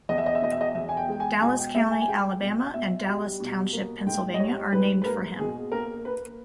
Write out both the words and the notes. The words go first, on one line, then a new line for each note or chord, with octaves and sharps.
Dallas County, Alabama and Dallas Township, Pennsylvania are named for him.
E2 D#5
E5
D#5
E5
B2 D#5
E5
D#5
E2 E5
G#5
G5
G#3 G5
G#5
B2 G#5
G5
G#3 E5
G#5
G#5
G#3 G5
B2
B2 E5
G3
B2
A#3
G#2 G5
D#5
G3 C#5
G#2 B4
B4
A#3 A#4
B2 G#4
A#3 A#4
A#3 B4